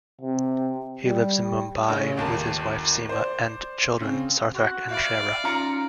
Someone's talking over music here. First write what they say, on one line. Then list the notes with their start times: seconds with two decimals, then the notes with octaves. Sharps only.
He lives in Mumbai with his wife Seema and children Sarthak and Shreya.
0.21 C3
1.04 G3
1.88 A1 C#3 C#5
2.17 G1 D#2 A5
3.09 C5 D5
4.01 C#3 C4
4.55 F#4 C6 F#6
4.91 D5 E5 F5 B5
5.44 C#4 D#4 F4 A#5 C#7